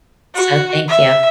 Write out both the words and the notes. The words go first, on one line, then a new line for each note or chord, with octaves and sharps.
so thank you.
F#4
E5